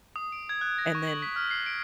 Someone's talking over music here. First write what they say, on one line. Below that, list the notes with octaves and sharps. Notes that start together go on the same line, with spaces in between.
and then
D#6
D7
G#6
F#6
A#6
C#6
F#7
B6
F6
C7
D7